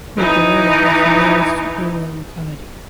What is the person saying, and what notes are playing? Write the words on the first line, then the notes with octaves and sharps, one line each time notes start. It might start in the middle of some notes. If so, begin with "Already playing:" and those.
Pogorely is the nearest rural locality.
E3 D#4